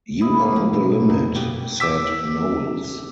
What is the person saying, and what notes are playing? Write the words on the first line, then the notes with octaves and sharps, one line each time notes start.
"You are the limit," said Knowles.
E4 D#5 B5
A#3
F3
B2
F#2 D#4
B2 G4
D6 E6 B6